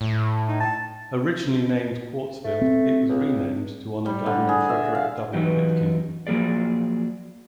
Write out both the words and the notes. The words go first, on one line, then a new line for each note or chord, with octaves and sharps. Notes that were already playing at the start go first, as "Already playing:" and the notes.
Originally named Quartzville, it was renamed to honor Governor Frederick W. Pitkin.
A2
D#4
A5
A3
C4
C#2
G3
D3
G#4
E5
F5
E3 F#3 B3 D#4 G4
F3 F#3 A#3 G#4 D5